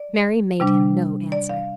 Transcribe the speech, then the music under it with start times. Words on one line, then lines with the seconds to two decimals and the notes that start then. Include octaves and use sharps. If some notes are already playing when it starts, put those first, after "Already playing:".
Mary made him no answer.
Already playing: D5
0.60 C3 G3 D4
1.32 D5
1.49 F5